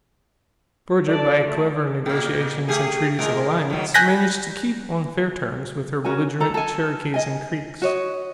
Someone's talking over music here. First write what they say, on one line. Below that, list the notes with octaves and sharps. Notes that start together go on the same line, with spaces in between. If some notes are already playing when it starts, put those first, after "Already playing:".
Georgia, by clever negotiations and treaties of alliance, managed to keep on fair terms with her belligerent Cherokees and Creeks.
A4 D5
A3
A#2 A#3
A3 G4 G#4
A2 G#3 A#4
D#3 F#3
G#5 F#6 G6 A#6 B6
C#4 F#4 A#4 G#5
A4 A#5
A4 G#5
D#5 G#5
F#4 C#5 D#5